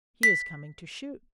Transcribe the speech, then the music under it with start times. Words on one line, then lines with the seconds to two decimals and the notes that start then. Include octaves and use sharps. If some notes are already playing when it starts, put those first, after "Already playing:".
He is coming to shoot.
0.23 B6